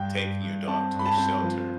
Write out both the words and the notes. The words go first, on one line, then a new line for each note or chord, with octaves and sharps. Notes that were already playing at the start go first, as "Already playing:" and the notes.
taking your dog to a shelter
Already playing: G2 G5
G2
G2
C4 A5
G2
B5
A5
C4
F3